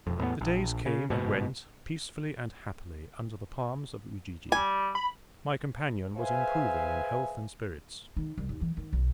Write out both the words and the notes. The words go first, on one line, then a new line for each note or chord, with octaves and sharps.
The days came and went peacefully and happily, under the palms of Ujiji. My companion was improving in health and spirits.
E1 F2
E2 A2 A#3 B3
A#1
C#3
F#1 G#2 B2
G3 G#5
B5
G#4 B4 C5 E5 F5 G#5
D#3
C2
D#2
E3
D#3
B1